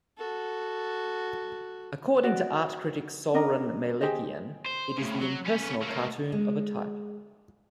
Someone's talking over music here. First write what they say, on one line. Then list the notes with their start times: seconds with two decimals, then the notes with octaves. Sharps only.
According to art critic Souren Melikian, it is the impersonal cartoon of a type.
0.17 F#4 A4
2.24 F#4 D5
3.34 C#4 D4 A#4 D#5
4.01 G4 G#4 C5 D#5
4.66 C5
4.98 A2 C#3
5.22 F#3
5.46 B3 C#4
5.82 A3 A#3
6.32 G#3